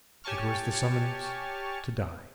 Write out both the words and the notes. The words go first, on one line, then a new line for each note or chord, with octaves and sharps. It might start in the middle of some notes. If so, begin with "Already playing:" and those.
It was the summons to die.
G4 C#5 G#5 A5 C#6 F6